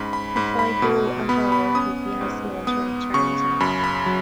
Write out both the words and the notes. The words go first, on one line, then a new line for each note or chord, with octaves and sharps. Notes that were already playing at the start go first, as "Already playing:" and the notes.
If I go at all it will be as the author of Charley's Aunt.
Already playing: G#2 C#4 B5
B5
G#2 B5
B5
B2
B3 B5
B5
C#4 D#6
G#2
B3 D#6
C#3 C#6
F#2 B5
B5
F#3